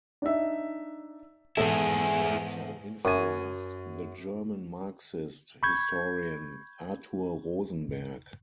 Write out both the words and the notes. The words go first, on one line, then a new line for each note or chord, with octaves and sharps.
He also influenced the German Marxist historian Arthur Rosenberg.
D4 D#4 E5
E2 G#2 E4 G#4 A4
F#2 G#5
B5 C#6 G6 G#6